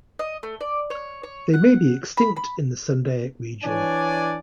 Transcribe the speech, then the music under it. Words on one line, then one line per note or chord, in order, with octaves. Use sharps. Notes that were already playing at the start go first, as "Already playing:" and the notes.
They may be extinct in the Sundaic region.
D#5
A3
D5
C#5
C#5
F#5
B5
B5
E3 D4 C#5 D5 G#5